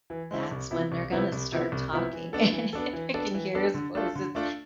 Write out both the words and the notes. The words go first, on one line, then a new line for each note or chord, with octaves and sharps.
that's when they're gonna start talking," and I can hear his voice, it's
E3
G#3 C4 E4
C2
C3 F3 B3 E4
C2
C3 F3 B3 E4
C2
C3 F3 B3 E4
C2
C3 F3 B3 E4
E3
B3 D4 A4
E3
B3 D4 A4
E3
B3 D4 A4
E3
B3 D4 A4
D3
A3 D4 F4 A4
D3
A3 D4 F4 A4